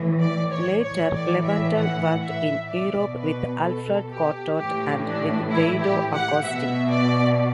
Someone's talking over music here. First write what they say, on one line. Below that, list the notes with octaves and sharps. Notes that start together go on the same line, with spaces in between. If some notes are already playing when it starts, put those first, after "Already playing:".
Later Lewenthal worked in Europe with Alfred Cortot and with Guido Agosti.
Already playing: A2 E3
D5
C#5
A2 E3 C#5
D5
E5
F#5
E5
B2 D5
B4
A4
G4
A2 E3 G4
D4
E4
G4
F#5
B2 E5
D5